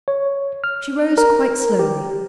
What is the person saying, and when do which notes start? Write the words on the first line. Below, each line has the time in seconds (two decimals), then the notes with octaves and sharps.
She rose quite slowly.
0.08 C#5
0.64 F6
1.18 A#4
1.79 G4